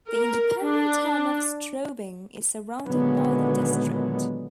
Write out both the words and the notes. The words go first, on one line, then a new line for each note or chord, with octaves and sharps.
The independent town of Straubing is surrounded by the district.
A#4
D4
A#2 D3 D#3 F#3 G#3 B3